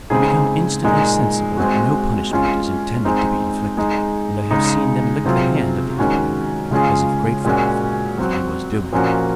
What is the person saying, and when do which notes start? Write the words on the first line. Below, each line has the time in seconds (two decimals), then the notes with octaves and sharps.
They become instantly sensible that no punishment is intended to be inflicted, and I have seen them lick the hand of the operator, as if grateful for what he was doing.
0.10 C#3 G#3 C4 D#4 G#4
0.84 A#2 G#3 D#4
1.57 G#3 C4 F#4
2.31 G#3 C#4 F4
3.05 G#3 C4 D#4
3.77 G#3 D#4 G#4
4.51 C#3 G#3 D#4 G#4
5.25 C3 F#3 C4 F4 G#4
5.98 D#3 G#3 C#4 F#4
6.71 C#3 G#3 C#4 F4 G#4
7.45 A#2 G#3 C#4 F#4
8.18 F#3 C4 F#4
8.92 A#2 F3 A#3 C#4 F#4